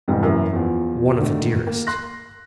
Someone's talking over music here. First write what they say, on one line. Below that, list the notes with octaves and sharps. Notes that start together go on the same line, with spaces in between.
One of the dearest.
F2 G#2 C3 E3 G3
F#2 E3 A#3 E4
E2 F3
D3 D#3 A3
A#3
C6 F#6 A#6